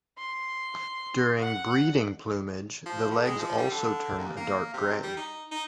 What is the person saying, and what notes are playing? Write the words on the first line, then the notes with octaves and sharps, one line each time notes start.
During breeding plumage the legs also turn a dark grey.
C6
F#5
F3
A2
G#3
F3
G3
D3
D#2
A#3
C3
G3
D#4
D#4